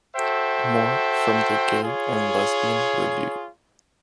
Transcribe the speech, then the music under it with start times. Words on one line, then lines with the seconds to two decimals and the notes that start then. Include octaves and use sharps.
More from The Gay and Lesbian Review.
0.15 F#4 A4 C5 E5 G5
1.82 F4 G#4 C#5